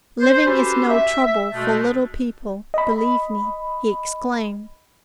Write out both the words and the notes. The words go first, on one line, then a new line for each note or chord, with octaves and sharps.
"Living is no trouble for little people, believe me!" he exclaimed.
C5
C#4 F#4 G4 A4 B4 C5
E5
B2 G#3 A3
D#5 B5